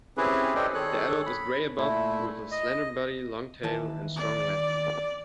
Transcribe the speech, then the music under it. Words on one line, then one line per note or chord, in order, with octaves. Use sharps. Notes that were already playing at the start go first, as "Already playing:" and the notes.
The adult is grey above with a slender body, long tail and strong legs.
C4 C#4 E4 G4 G#4 B4
G4 A4 C5 D5 D#5 G5
D#3 G#4 A4 C#5 F#6
B5
A#2 A3 E4
D#5
D#2 E3 A5
D5